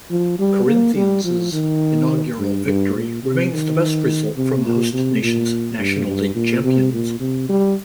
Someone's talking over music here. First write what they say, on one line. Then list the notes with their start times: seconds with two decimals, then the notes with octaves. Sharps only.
Corinthians' inaugural victory remains the best result from a host nation's national league champions.
0.11 F3
0.39 G3
0.67 A#3
0.95 G3
1.24 F3
1.52 D#3
2.38 G2
2.66 G2
2.95 A#2
3.23 C3
3.52 D#3
4.37 C3
4.65 A#2
4.93 C3
5.22 A#2
5.78 G2
6.07 G2
6.35 A#2
6.64 C3
6.92 A#2
7.20 C3
7.49 G3